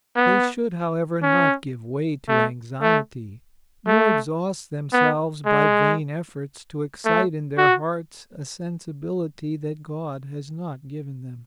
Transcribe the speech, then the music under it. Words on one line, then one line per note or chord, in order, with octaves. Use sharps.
They should, however, not give way to anxiety, nor exhaust themselves by vain efforts to excite in their hearts a sensibility that God has not given them.
B3
C#4
A3
A3
A3
B3
G#3
A3
F#4